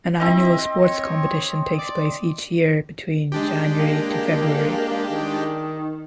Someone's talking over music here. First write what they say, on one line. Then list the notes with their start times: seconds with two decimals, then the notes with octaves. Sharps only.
An annual sports competition takes place each year between January to February.
0.20 C4 E4 D#5
0.82 C#5
1.78 D5
3.32 G#3 D4 G4
3.79 A#3
5.09 D#3